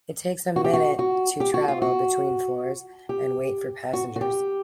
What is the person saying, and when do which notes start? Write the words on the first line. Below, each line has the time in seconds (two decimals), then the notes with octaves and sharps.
It takes a minute to travel between floors and wait for passengers.
0.56 F#4
0.64 G4
0.73 F#4
0.99 F#4
1.40 G4
1.54 F#4
1.68 F4
1.82 F#4
3.09 G4
3.93 F#4
4.16 F#4
4.21 G4